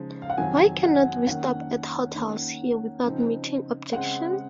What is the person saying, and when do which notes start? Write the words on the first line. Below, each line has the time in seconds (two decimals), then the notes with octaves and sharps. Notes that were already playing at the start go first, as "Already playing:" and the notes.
Why cannot we stop at hotels here without meeting objection?
Already playing: C#3 F3 G#3 D#4
0.22 F5
0.30 F#5
0.38 F2 C3 D#3 F#3 G#5
0.83 F#5
1.27 D#3 A#3 C#4 F#5
2.15 D#3 A#3 C#4
3.04 C#3 F3 C4 D#4
3.93 C#3 G#3 C4 F#5